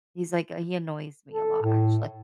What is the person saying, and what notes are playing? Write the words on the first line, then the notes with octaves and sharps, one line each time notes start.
He's like, uh he annoys me a lot, actually.
A4
A2